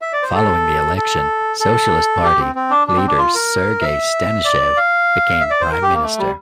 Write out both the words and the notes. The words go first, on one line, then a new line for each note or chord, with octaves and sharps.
Following the election, Socialist Party leader Sergei Stanishev became Prime Minister.
E5
D5
C5
A4
A4
A4
G4
C4
C4
D4
D4
C4
D4
F4
A#4
E5
D5
F5
E5
D5
C5
A#4
G4
A#3
A3
G3